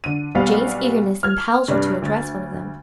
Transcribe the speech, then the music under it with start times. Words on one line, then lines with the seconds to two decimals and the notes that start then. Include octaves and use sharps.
Jane's eagerness impelled her to address one of them.
0.04 D3 D#7
0.35 B1 G3 B3 F5
1.23 F6 G#6
1.68 G2 C3 G3 D4
2.02 D2 A6